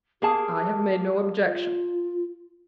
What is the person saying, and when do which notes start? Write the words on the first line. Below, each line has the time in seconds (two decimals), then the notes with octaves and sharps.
"I have made no objection."
0.22 A#3 G4 G#4 A5
1.46 F4